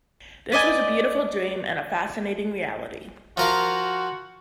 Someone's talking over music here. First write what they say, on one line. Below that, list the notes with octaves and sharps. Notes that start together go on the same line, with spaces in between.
This was a beautiful dream, and a fascinating reality.
B4 D5 D#5 G#5
F3 F#4 A#4 F5